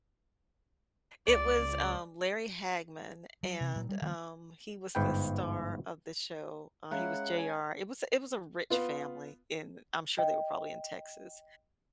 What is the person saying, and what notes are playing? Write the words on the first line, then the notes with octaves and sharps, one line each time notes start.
it was, um, Larry Hagman, and, um, he was the star of the show uh, he was J.R. It was it was a rich family in I'm sure they were probably in Texas,
C#2 D5
F#3
C3
A#2 F#3
G3
D#3 F3 G3 B3
G1 G#2 B4 G5
G#3 C#4 E4 A#4 C#5 F5 F#5
G#5
B3 F4
D#5 G5